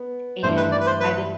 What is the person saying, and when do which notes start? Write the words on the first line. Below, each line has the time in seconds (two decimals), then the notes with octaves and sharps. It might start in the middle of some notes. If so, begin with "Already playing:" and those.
and by the
Already playing: B3
0.43 G2 E3 A3 C5
0.57 B4
0.72 D5
0.80 B4
0.86 C5
1.00 B4